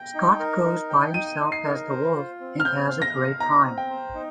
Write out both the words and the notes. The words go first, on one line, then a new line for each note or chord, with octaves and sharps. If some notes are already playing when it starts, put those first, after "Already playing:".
Scott goes by himself as the Wolf and has a great time.
Already playing: G5 A#6
D#4
A#4
D#4
G5
D#4 D#7
D#4
C7
A#4
C5
F4
C4
F6
C4 G6
F5
A#6
F5
D#4 A#5
C4
G5
C5
D#4